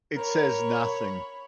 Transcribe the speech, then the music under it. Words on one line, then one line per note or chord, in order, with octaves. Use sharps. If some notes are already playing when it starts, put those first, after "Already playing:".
It says nothing.
A#4 C#5 B5